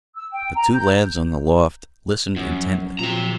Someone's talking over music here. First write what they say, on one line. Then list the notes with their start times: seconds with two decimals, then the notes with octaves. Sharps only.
The two lads on the loft listened intently.
0.16 E6
0.31 G5
0.55 A#5
0.73 G6
2.36 F#2 F3 F#3
2.99 A#2 F3 F#3 C4 A#5